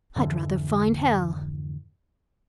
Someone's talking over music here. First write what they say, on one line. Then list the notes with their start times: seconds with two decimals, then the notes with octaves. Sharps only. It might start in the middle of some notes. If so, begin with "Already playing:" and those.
I'd rather find hell!
0.16 F2 G#2 D3 E3